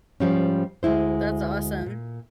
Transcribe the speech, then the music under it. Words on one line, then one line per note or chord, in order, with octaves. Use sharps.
that's awesome.
G#2 F3 G3 C#4
D2 G#3 E4 C5
A#2